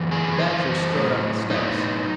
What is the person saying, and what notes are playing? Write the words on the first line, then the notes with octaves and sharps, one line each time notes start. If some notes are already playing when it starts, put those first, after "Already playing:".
The Badger strode up the steps.
Already playing: F#2 E3
G#4
F#2 E3 C5
A2 F#3
A2 F#3 D#4